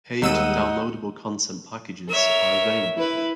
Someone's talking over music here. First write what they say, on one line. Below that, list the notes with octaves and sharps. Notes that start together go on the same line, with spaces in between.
Paid downloadable content packages are available.
D#2 G3 G#3 D#4 F#5 E6 D#7
A#4 C#5 E5
E4 B4